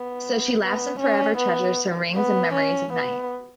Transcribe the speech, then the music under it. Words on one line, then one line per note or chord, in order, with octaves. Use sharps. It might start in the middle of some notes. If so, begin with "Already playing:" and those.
So she laughs and forever treasures her rings and memories of Night.
Already playing: B3
B3
C#4
B3
B3
C#4
B3